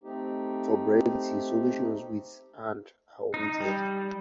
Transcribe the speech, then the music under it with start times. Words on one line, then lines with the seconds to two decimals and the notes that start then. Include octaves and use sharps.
For brevity, solutions with and are omitted.
0.04 A3 C4 D#4 G4
3.34 D#4
3.60 G3